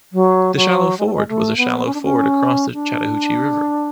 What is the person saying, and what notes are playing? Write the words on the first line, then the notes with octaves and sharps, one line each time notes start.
The Shallow Ford was a shallow ford across the Chattahoochee River.
F#3
F#3
G#3
A3
G#3
A3
B3
C#4
D4
C#4
D4